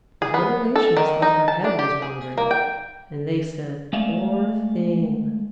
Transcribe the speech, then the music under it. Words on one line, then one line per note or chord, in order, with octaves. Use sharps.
But her relations thought her head was wandering, and they said, "Poor thing!"
G#4
B3
A4
D#3
D#4
A5
D4
G4
G#4
A#3
G5
G#3 A3 D5 E5 F5